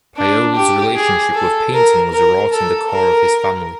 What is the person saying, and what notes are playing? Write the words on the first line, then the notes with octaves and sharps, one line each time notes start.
Piola’s relationship with painting was wrought in the core of his family.
D4
G4
G#4
A4
A#4
A#4
A4
A#4